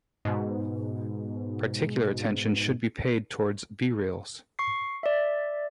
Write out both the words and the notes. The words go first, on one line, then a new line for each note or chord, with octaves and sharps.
Particular attention should be paid towards b-reels.
G#2 B2
C#6 C7
D5 E5